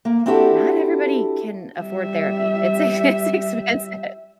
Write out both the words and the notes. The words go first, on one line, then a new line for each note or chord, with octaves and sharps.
not everybody can afford therapy. It's e it's expensive.
A#3
C4 D4 E4 F#4 G4 A4
G3 E5